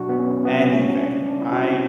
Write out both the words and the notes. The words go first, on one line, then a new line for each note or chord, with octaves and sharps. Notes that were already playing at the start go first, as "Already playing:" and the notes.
anything. I
Already playing: B2 F#3 D4 F#4
B3
C#4
B3
C#3 G3 C#4
D4
D4
E4
F#4